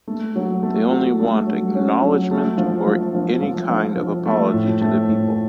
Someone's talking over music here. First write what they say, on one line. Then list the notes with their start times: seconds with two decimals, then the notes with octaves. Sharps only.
They only want "acknowledgement or any kind of apology to the people".
0.08 A3
0.36 F#3
0.63 A3
0.91 F#4
1.19 A3
1.46 F#3
1.75 C#4
2.02 F#3
2.31 A3
2.58 F3
2.87 F3
3.15 F3
3.42 F3
3.70 F3
3.97 F3
4.26 A3
4.53 A2
4.81 A3
5.08 A2